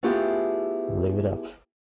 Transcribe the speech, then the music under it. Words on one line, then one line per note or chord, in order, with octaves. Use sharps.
Live It Up!
A3 B3 E4 F4 G4 G#4